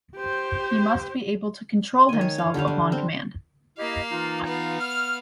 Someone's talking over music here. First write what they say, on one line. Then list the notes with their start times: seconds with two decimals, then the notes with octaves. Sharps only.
He must be able to control himself upon command.
0.16 G4 C5
2.09 D#3 G#5
2.21 C#5
2.38 F5
2.54 D3 G3 G4 F5
2.68 D4
2.92 C4
3.78 A#3 E4 G4 D#5 F5
4.11 E3 D#4 F4
4.45 B3 F5
4.81 F6